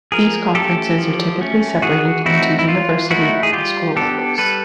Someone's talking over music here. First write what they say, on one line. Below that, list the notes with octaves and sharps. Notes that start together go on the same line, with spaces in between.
These conferences are typically separated into university and high school levels.
F3 G#4 A#4
A3 C#4 G4 A4
F3
A3 C#4
E3 F#4 G#4
A3 C4 D#4 E4 F#4
E4
E3 F4
A3 C4 D#4 E4 F#4
G#4
G3 F4 G4
B3 D4 G4 A4
G3 A4 B4